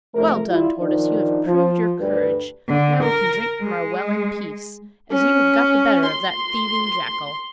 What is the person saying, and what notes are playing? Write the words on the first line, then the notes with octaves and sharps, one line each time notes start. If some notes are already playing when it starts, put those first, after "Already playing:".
'Well done, tortoise, you have proved your courage; now we can drink from our well in peace, as you have got the better of that thieving jackal!'
C3 F3 A3 A#4
G3 E4 F4
D#3 F3 D4 D#4
F3
D2 G2 G3 B4
D3
A#4
G#3
C#4
C6